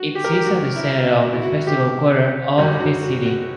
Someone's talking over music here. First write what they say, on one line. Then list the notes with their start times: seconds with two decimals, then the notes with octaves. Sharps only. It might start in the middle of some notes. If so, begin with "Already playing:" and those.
It sits at the center of the festival quarter of the city.
Already playing: F#4
0.15 G4
0.24 A#4
0.33 G4
0.46 F#4
0.76 E4
1.21 F#4
1.33 E4
1.43 F#4
1.67 G4
2.58 F#2 C#3 G3 C#4 F#4
2.80 F#4
3.03 F#4
3.26 F#4